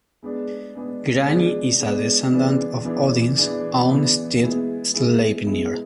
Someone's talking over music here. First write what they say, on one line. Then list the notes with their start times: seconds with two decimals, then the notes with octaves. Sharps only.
Grani is a descendant of Odin's own steed, Sleipnir.
0.23 G#3 B3 D4 G#4
0.75 G#3 B3 D4 G#4
1.28 G#3 B3 D4 G#4
1.80 G#3 B3 D4 G#4
2.33 E3 B3 D4 G#4
2.85 E3 B3 D4 G#4
3.37 E3 B3 D4 G#4
3.89 E3 B3 D4 G#4
4.42 G#3 B3 E4 G#4
4.94 G#3 B3 E4 G#4
5.47 G#3 B3 E4 G#4